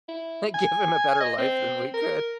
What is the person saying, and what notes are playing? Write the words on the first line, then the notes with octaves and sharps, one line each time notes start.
give him a better life than we could.
E4
G#5
D#5
C4
A#4